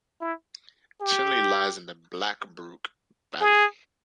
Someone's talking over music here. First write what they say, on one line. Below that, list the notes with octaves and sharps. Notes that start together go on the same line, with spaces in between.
Chinley lies in the Blackbrook Valley.
E4
G4
G#4